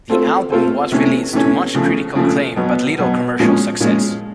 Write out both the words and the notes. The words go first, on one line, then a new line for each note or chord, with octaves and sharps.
The album was released to much critical acclaim but little commercial success.
A3 C4 F4 A4 C5
A3 C4 F4 A4 C5
C3 E3 A3 C#4
C3 E3 A3 C#4
C#3 F3 A3
C#3 F3 A3
B2 F#3 B3
B2 F#3 B3
A#2 F3 G#3 C#4 F4
A#2 F3 G#3 C#4 F4